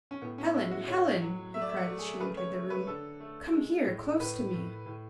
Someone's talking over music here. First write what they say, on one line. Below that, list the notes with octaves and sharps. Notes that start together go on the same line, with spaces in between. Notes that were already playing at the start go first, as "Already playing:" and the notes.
"Helen, Helen!" he cried as she entered the room, "come here, close to me."
C#4
A2 B3
C#4
G#3 E4
F#4
A2 C#5
F#3
A3 E5
D5
E5
F#5
A3
G#4
C#3 B4
C#5
A3
B4
D3 A4
A3
G#3
A2
A2 B4
A2
A2